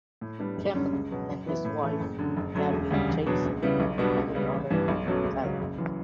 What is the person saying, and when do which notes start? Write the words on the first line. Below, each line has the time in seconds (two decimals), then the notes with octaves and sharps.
Kemp and his wife, Gaby Jamieson, have a daughter, Thalie.
0.21 A2
0.39 G3 B3 D4
0.57 F#1
0.74 F#2 D3 G3 C#4
0.93 C#2
1.11 B2 F#3
1.28 F#2
1.46 E3 B3 E4
1.65 A2
1.83 E3 A3 C#4
2.00 F#1
2.18 F#2 D3
2.37 F#1
2.55 F#2 D3 F#3 A3
2.72 E1
2.90 D2 C#3 G3
3.09 E2
3.26 B2 F#3 B3 D4
3.44 C#2
3.62 C#3 G3 B3 E4
3.80 B1
3.98 B2 G3 B3 D4
4.16 C#2
4.34 C#3 G3 B3
4.52 A1
4.70 G2 E3 G3 B3
4.88 B1
5.06 B2 F#3 A3 C#4
5.24 C#2
5.42 C#3 F#3
5.60 F#1
5.78 F#2 E3